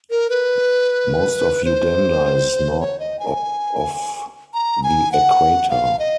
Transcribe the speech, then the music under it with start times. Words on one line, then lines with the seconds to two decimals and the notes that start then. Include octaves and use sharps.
Most of Uganda is north of the equator.
0.10 A#4
0.30 B4
1.65 C5
2.80 C#5
3.00 D#5
3.19 G#5
4.54 A#5
4.83 G#5
5.12 F#5
5.70 F5
5.99 D#5